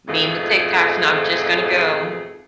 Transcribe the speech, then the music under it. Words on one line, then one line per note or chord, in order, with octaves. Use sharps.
mean the TikTok's not just gonna go.
F2 G#2 B2 A3 F4 G#4